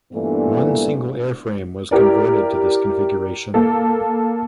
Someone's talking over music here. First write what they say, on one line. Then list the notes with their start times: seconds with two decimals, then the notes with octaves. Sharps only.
One single airframe was converted to this configuration.
0.12 G2 A#2 E3 A3 B3 D4
1.91 E4 G4 A#4 D5
3.54 A#3 A4